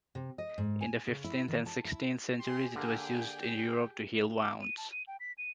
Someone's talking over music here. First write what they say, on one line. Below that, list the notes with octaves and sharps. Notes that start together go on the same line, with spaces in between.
In the fifteenth and sixteenth centuries it was used in Europe to heal wounds.
C3
D#5
G#2
G#5
C#3
E4
D#3
A5
E4
G4 G#4 C6
D3 A#3 G5
D6
D#7
A5
D#7
G5
B6
D#7